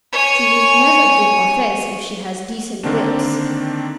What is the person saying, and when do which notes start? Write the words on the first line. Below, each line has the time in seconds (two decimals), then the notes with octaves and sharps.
She need never give offence if she has decent wits.
0.13 C#5 G#5
2.84 D3 D#3 A#3 C4 D4